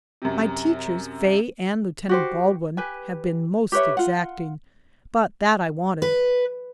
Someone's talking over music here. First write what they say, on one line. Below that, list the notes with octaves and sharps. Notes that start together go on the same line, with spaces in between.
My teachers, Faye and Lieutenant Baldwin, have been most exacting, but that I wanted.
F#2 C3
F#4 G4 C5
G4 B4 G#5
G4 B4 C#5 E5
F4 F#5
B4